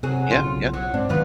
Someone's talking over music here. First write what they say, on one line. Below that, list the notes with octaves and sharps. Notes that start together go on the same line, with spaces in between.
Yeah, yeah.
C3 F#3 G#4
B1 C#3 F#3 F4
F#3
G#2 C4 D4
G2 D#3 F#3 B3 F4 B4